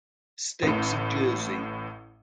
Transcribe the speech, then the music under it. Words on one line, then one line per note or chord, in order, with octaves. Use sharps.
States of Jersey.
A1 A2